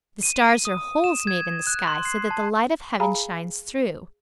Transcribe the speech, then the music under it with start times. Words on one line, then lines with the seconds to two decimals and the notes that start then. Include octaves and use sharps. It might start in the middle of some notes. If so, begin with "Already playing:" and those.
The stars are holes made in the sky, so that the light of heaven shines through.
0.23 D#7
0.65 D#6
1.04 E7
1.27 G#6
1.67 F#6
1.87 C6
2.05 C7
2.31 A5
3.00 G#4 F5 G#5 A#5 B5